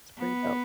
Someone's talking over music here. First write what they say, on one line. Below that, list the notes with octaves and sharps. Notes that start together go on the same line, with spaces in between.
It's pretty dope.
B3